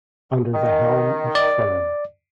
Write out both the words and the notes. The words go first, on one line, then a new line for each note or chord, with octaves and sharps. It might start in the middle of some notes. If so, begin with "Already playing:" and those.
Under the helm of Fr.
D#3
D5